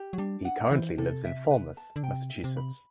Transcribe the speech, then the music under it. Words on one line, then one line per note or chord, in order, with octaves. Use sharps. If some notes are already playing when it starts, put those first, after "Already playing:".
He currently lives in Falmouth, Massachusetts.
Already playing: G4
F#3
G3 D4
F#5
E3 C5
C3 A4
E5
B4
A5
D3
C3 G5
E5
C3
B5